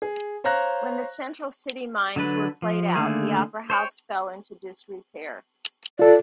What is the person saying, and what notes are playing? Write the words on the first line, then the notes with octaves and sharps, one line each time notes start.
When the Central City mines were played out, the Opera House fell into disrepair.
G#4
C5 C#5 F5 A#5 F#6 A#6
D3 F#3 D4 B4
F3
D3 D#3 A3 A#3 G#4
C5 C#5 G5
F4 A4 D5